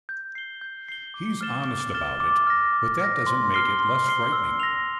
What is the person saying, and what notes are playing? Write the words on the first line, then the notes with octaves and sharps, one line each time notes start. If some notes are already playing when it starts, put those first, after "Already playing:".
He's honest about it, but that doesn't make it less frightening.
G6
C7 G7
G6
C7 G7
D6
F6 A6 E7 G7
D6
F6 A6 E7 G7
D6
F6 A#6
D6
F6 A#6
C6
F6 C7 G7
C6
F6 C7 G7
E6
A#6 F7